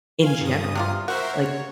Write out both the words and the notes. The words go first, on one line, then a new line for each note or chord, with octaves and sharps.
in general. Like,
F5 G#5
G2 D#6
C3 A#3 F4
F#4 A#4 C5 E5
C#5